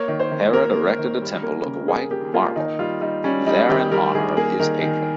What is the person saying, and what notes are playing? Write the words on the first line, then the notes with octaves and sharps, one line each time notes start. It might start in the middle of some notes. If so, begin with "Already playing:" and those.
Herod erected a temple of 'white marble' there n honour of his patron.
Already playing: A#3 C#5
D#3
C5
D#3
A#3 A#4
A#3
D#3
G3
A#3
C#3
A#3 G#4
A#3 G4
A#3 F4
D#3 D#4
G3 F4
G3 D#4
G3 C#4
G3 D#4
D#3 G4
G3 A#4
D#3 G#4
A#3 G#4
D#3 A#4
D#3